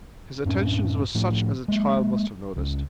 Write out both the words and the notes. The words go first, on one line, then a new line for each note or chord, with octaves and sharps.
His attentions were such as a child must have noticed.
F#2 A2 B3 C#4
A2 F3 A3
G#3 A#3
C#2